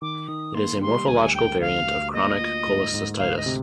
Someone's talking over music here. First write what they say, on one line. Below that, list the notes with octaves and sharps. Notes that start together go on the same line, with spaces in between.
It is a morphological variant of chronic cholecystitis.
D#3 D6
D#3 D#6
A#3 C6
G3 C6
D2 G#5
D2 G5
D2 F5
D2
A#3 D#5
F4
G#2
G#2
D2 F5
D#5
C3